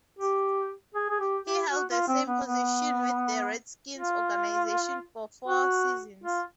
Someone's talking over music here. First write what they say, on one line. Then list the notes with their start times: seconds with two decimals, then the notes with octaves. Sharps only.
He held the same position with the Redskins organization for four seasons.
0.19 G4
0.94 G#4
1.10 G#4
1.20 G4
1.45 G4
1.70 F#4
1.90 F4
2.08 C4
2.27 B3
2.46 B3
3.97 F4
5.48 F#4
6.24 F4